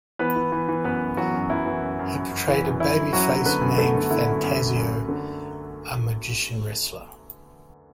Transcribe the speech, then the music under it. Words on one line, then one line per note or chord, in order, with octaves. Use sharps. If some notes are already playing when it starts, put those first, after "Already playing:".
He portrayed a babyface named "Phantasio", a magician wrestler.
E3 B3 B4
E3
E3
E3
F#2 B3 B4
F#2
E3 F#3 F#4
F#2
F#2 E4
E3
F#2
F#2
F#2
F#2
E3
F#2
F#2 E4
F#2
F#2 F#3 F#4
D3
D3 B3 B4
F#2
D3 A3 A4
D3
D3 E4
F#2
F#2
F#2
F#2
F#2
D3